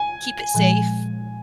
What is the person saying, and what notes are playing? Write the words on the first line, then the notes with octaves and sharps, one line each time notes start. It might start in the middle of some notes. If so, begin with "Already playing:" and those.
keep it safe.
Already playing: G#5
A#2 F3 G#3